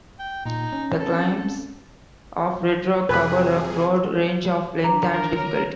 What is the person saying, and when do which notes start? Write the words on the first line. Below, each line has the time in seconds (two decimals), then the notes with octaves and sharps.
The climbs of Red Rock cover a broad range of length and difficulty.
0.19 G5
0.46 A#2 D#4
0.73 C#4
0.99 C4 C#4 A4
3.09 F2 C3 G#4 B4
4.84 D#3 D4 A#5
5.14 A#4
5.36 C#5